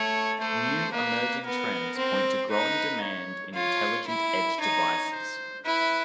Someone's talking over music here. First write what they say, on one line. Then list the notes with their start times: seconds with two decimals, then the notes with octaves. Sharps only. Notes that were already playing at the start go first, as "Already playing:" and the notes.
New emerging trends point to growing demand in intelligent edge devices.
Already playing: A3 C#5
0.40 A3 C5
0.92 A#3 B4
1.45 B3 A#4
1.97 C4
2.50 D#4 B4
3.02 C#5
3.54 F4 C#5
4.07 E4
4.60 D#4 C#5
5.12 C5
5.64 E4 B4